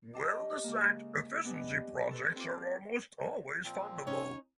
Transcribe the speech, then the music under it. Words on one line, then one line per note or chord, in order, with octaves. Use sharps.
Well-designed efficiency projects are almost always fundable.
G4 D#5 A5 D6
C#3 G#3 A#3
B3 D4 G4 B4 D#5 G#5
A4 B4 C5
C4 F4 D6
A#2 F3 C4
C#4 D#4 C#5